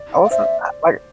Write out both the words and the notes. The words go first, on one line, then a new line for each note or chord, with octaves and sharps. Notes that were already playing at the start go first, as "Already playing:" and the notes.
I wasn't uh, like
Already playing: D5
F5
C5 E5